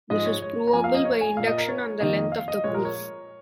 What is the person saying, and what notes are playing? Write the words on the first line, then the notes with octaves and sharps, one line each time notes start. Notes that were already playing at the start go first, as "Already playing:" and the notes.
This is provable by induction on the length of the proof.
G#2 F3 G#3 D#5
C#5
C#5
A#5
F2 F3 A#3 G#5
F5
D#5
C#5
G#5
A#2 A#3 F5
D#5
A#4
C#5
F2 D#3 A#3 D#5
F5
D#5
A#2 F3 G#3 C#5
A#4
C#5